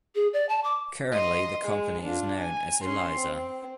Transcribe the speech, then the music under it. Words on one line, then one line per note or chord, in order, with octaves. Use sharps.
Currently the company is known as Elisa.
G#4
D5
A5
D6
D#5 C6
G#3
D4 F4
G#5
C#4 C6
C4